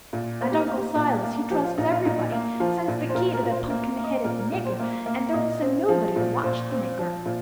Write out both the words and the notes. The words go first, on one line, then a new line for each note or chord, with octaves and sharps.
And Uncle Silas he trusts everybody; sends the key to the punkin-headed nigger, and don't send nobody to watch the nigger.
A#2
A#3 C5
G4
A#4
A#3
G4
A#2
A#3
F3 G4
F4
A#2 D#4
F4
A#2 D#4
A#3
F3 F4
A#2
C5
A#2 A#4
A#4
A#2
C5
A#3
A#3
D#5
C5
A#2 A#4
A#4
A#2
C5
A#3
A#3
A#2 D#5
C4
F3
A#2
A#2 C5
C4
F3
A#2